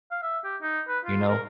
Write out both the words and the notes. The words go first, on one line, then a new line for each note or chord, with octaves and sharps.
You know?
F5
E5
G4
D#4
B4
F4
A#4